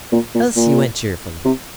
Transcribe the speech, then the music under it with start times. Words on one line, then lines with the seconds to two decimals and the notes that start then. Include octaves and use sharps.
Elsie went cheerfully.
0.12 A#2
0.35 A#2
0.56 A#2
1.45 C3